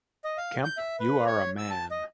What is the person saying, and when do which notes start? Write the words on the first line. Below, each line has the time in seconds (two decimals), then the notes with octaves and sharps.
Kemp, you are a man.
0.24 D#5
0.37 F5
0.64 G6
0.77 E5
1.00 B4
1.26 C#5
1.58 E6
1.71 A5
1.91 D#5